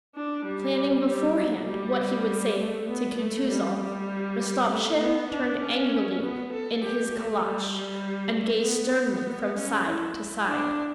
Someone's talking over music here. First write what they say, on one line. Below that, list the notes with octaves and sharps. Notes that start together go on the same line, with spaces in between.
Planning beforehand what he would say to Kutuzov, Rostopchin turned angrily in his caleche and gazed sternly from side to side.
D4
G3
G3
F#3
G3
A3
B3
A3
G3
G3
A3
B3
D4
C#4
B3
A4
G4
A3
G3
G3
A3
B3
C#4
E4
D4